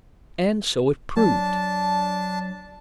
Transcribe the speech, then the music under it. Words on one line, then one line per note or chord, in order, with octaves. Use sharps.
And so it proved.
F#3 D4 A5